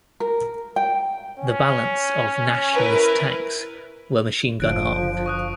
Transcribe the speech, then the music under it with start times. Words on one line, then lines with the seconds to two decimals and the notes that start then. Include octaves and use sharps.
The balance of "Nationalist" tanks were machine gun armed.
0.20 A#4
0.76 G5
1.39 C#4
2.73 E4 A#4 B4
4.60 F#1 D3 F3 F#6 D7
5.26 C#6 D#6 F#6